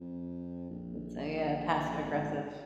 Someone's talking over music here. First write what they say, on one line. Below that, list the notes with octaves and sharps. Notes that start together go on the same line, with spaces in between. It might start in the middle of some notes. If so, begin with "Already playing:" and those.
It's a, uh, passive aggressive
F2
A#1
G#1